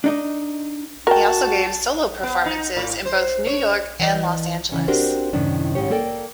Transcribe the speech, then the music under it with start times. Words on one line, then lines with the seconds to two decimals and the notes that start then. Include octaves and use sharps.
He also gave solo performances in both New York and Los Angeles.
0.04 D4 D#4 D#5
1.07 F#4 A#4 G5 A5
2.23 B3
2.45 D#4
2.77 A2
3.06 C5
3.47 C#5
4.00 E3 D5 D#5
4.72 C#3 E3 C#4
4.88 C4 D4 F#4 G4 A#4 C5
5.33 F#2 A2 C3 D#3 C#4 D4
5.75 G#2 D#3 C#4 G4 C#5
5.90 A#3 A4 A#4 D5 G5